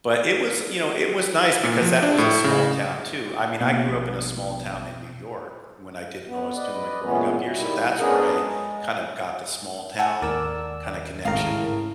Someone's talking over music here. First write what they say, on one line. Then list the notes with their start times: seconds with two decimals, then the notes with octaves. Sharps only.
but it was, you know, it was nice because that was a small town, too. I mean, I grew up in a small town in New York, when I did oh, I was doing my growing up years, so that's where I kind of got the small town kinda connection.
1.63 A#2
1.81 F3
2.02 D4
2.18 A2
2.44 C#3
3.61 B2 A#3
3.88 A#1
6.27 B3
6.55 B4 D5 D#5
7.03 A#2 E3 G#3 B3 C#4
7.53 D#3 G3 E4
7.99 B3 C#4 D4 G#4 A#4
8.36 G#3
9.99 A4 F#5 G#5 A5
10.22 D#2 A#4 D5 E6
11.25 G#1 A2 C#3 A#4 F5 D#6